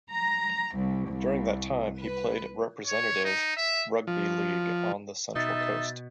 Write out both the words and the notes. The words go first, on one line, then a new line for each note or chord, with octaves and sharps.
During that time he played representative rugby league on the Central Coast.
A#5
C2
C2
B4
C#5
D#4
E5
F3
B2 D#4 E5 A6